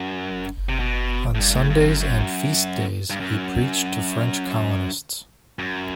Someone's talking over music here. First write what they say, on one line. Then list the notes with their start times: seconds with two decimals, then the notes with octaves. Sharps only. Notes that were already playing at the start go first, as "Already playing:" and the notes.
On Sundays and feast days, he preached to French colonists.
Already playing: F#2
0.69 C3
0.80 B2
1.35 A2
1.40 G2
1.51 G2
1.55 A2
1.70 G2
1.80 E2
1.85 F#2
2.00 F#2
3.10 G2
3.20 F#2
5.59 F#2